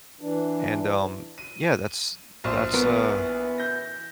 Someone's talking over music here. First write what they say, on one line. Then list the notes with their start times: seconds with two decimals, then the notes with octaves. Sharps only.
And, um, yeah, that's that's, uh
0.21 E3 D4
1.38 D#7
2.44 A#1 C5
2.74 E3 B3 A#4
3.58 G6 A#6